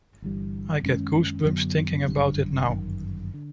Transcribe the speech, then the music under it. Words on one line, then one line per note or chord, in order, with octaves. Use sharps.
I get goosebumps thinking about it now.
G1 G2 E3 G3
F#2 D#3 G#3 C#4
F#2 D3 F#3 B3
G1 F#2 D3 G3
G1 F#2 D#3
D3